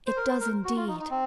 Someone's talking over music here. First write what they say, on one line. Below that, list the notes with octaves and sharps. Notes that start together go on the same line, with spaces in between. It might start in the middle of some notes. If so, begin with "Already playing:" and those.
It does indeed.'
C5
A#4
C5
A#4
F#4
F4
D#4
D#4
C4